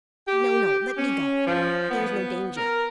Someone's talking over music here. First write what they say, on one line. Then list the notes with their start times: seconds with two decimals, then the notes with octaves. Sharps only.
"No, no, let me go, there's no danger."
0.28 G4
0.97 C#4
1.47 F3
1.90 B3
2.57 A#4